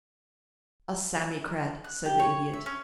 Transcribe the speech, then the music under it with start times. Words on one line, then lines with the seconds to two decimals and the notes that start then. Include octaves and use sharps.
"A Sammycrat," said the Idiot.
1.84 F#6
2.05 G4
2.19 C#5
2.53 E5
2.66 C#4